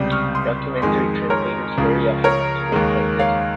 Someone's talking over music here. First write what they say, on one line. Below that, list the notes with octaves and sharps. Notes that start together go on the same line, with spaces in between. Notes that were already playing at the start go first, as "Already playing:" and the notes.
Documentary translators very often have to meet tight deadlines.
Already playing: C#2 C3 G3 D#6 G6
C#6 F6
C6 D#6
F2 D#3 G#3 G#5 C6
A#4 C#5
C#2 C#3 F3
A#4 C#5
D#2 D#3 G#3
C#5 F5